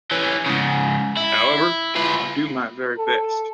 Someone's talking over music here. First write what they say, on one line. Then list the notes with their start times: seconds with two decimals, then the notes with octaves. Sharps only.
However, I’ll do my very best.
0.11 E3 C#4
0.46 G#2 C#3
1.17 E4
1.96 F4 B4
2.98 A4